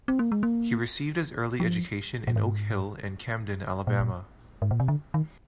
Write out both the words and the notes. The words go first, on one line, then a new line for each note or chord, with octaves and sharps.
He received his early education in Oak Hill and Camden, Alabama.
C4
A#3
G#3
A#3
F3
A#2
G#2
A#2
G#2
A#2
C3
D3
D#3